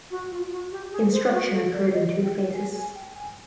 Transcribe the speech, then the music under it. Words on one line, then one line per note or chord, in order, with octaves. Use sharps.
Instruction occurred in two phases.
F#4
F4
F#4
G4
G#4
C5
F#4
A4
D5
D#5
G5
G#5
G#5
G5
G#5